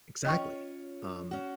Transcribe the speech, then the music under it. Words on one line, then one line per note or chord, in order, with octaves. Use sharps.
Exactly. Um,
C#4 F4 C#5 D#5 G5 C#6
C#4 F#4